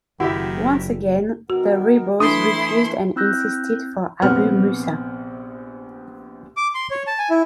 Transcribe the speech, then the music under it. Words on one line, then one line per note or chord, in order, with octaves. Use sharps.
Once again, the rebels refused and insisted for Abu Musa.
F#1 D#3 E4 F#4 G4 E5 F#5
D#3 B3 F#4 A#4
E3 A3 D4 E4 C6 D#6
C4 E4 E6 F#6 G6 A#6
A#1 C3 B3 C4 F#5 F6
D6
C6
C#5
A5
G#5
E4